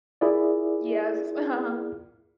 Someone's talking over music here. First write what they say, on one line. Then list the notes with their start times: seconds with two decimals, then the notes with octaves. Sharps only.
Yes. Uh-huh. Sa
0.21 E4 F4 G#4 A#4 D5